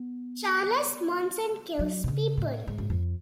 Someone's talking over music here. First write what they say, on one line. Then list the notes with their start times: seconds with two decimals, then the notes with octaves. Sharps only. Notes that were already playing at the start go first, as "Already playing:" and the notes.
Charles Manson kills people.
Already playing: B3
1.79 F#3
2.04 B2
2.08 C#3
2.37 A2
2.67 G#2
2.78 F#2
2.90 F2